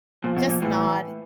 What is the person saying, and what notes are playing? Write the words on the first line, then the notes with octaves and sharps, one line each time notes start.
just nod,
A#2 F3
B2
A#2
A2 E3